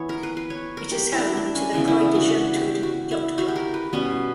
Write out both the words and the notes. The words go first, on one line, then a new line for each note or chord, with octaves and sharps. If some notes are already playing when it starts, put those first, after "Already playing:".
It is home to the Creux-de-Genthod yacht club.
Already playing: E3 B3 C#5
A#4
B4
B4
C#5
A#4
G4
E4
D4
D4
C#4
C#3 E3 B3 D4
E4
D4
F#4
F#4
G4
F#4
E4
F#4
G4
A#4
B4
B2 G3 B3 C#4